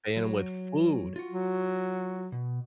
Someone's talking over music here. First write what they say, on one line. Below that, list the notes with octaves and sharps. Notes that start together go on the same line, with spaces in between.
paying with food,
F#3
F4 F#4
F#3
B2